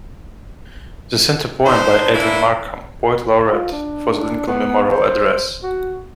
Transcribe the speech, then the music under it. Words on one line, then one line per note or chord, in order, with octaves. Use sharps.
The center poem by Edwin Markham, poet Laureate for the Lincoln Memorial address.
E3 D4 D#4 C5
E3 A#3 D4 E4
F4
D4
B3
C5
F#4